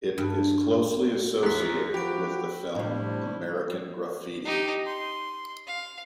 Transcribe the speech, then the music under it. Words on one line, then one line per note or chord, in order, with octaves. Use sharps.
It is closely associated with the film "American Graffiti".
G2
E2 F#6 B6
F3 F#4 G4 B5 D7
A2 C3 G3 D4 E4
D#4 G4
C6
F5